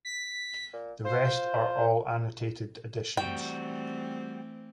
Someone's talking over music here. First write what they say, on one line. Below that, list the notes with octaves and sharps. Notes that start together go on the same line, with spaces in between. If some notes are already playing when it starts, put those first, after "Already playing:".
The rest are all annotated editions.
B6
A#2
F4 C5
E3 G3 A3 C4 F#4 G5